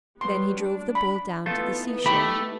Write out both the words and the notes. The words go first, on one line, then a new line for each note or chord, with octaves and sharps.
Then he drove the bull down to the seashore.
F#3 G3 B3 C6
D4
B5
E3 A3 B3 D#4 F4 A4
A3 G4 B5